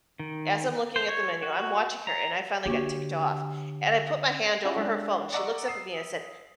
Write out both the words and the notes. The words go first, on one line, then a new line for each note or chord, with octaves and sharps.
as I'm looking at the menu, I'm watching her, and I finally got ticked off, and I put my hand over her phone. She looks up at me and I said,
D#3
C5
C#5
F#4
A#5
D3 A#3 F#4 G4 C#5
C#4 E4 F4 G#4 C#5 F#5
G#3 D4
D5 D#5 F#5 A#5 C#6 E6
D#6 C7 E7